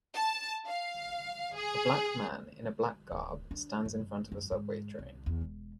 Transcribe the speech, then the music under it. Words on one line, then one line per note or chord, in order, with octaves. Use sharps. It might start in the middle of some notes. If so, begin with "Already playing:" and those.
A black man in a black garb stands in front of a subway train.
A5
F5
G#4
D1
D4
G1
F#2
G#2
C2
E2
E1